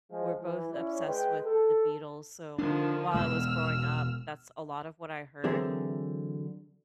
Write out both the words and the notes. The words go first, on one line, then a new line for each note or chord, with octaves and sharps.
were both obsessed with the Beatles, so, while I was growing up, that's a lot of what I heard.
F3 G#3
E3
C#4 E4 C#5 D5
G#3 B4 G5
A4
D3 D#3 F3 D4
E1 B2 G#3 E6 F6
D3 E3 F#3 C4 G#4 A#4